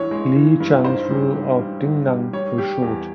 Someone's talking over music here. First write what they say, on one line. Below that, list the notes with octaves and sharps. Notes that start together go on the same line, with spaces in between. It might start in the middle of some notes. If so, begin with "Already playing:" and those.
Li Yichang's rule of Dingnan was short.
Already playing: G2 E3 G#3 C#5
G#3
E3
G2
G#2 C5
G3
G#2
G3
G#2
G3
G3 C#5
G3 G4
E2